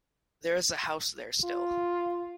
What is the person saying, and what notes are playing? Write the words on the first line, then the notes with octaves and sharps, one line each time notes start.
There is a house there still.
F4